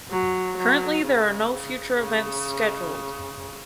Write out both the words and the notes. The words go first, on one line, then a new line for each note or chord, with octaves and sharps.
Currently there are no future events scheduled.
F#3
F#3
C#3
C#3
C#3